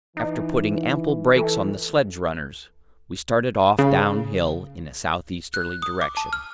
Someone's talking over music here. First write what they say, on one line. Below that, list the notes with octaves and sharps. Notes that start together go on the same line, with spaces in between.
After putting ample brakes on the sledge-runners, we started off downhill in a south-easterly direction.
E3 D#4
E3 A4
C#3
F#6
D#6
D6
A5
F6